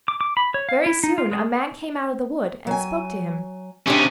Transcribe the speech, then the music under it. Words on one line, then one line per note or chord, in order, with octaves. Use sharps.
Very soon a man came out of the wood and spoke to him.
D6
D6
B5
C#5
F5
E4
D#4
F4
G#3
F#3 G#5
C3 C#4 D4 G4